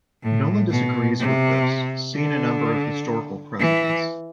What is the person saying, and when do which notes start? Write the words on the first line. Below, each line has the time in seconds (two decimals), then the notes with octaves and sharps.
Nolland disagrees with this, seeing a number of historical precedents.
0.23 A2
0.71 B2
1.20 C3
2.15 D3
3.60 E3